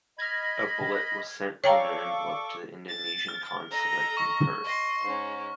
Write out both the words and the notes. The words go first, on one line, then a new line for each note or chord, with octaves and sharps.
A bullet was sent in an envelope to the Indonesia consulate in Perth.
D#5 B5 F6 G#6
A4 C#5 D5 F5 G5 A#5 C#6 D6
A6
F6
A4 D#5 A#5
C#6
D#5 C6
G#2 C#4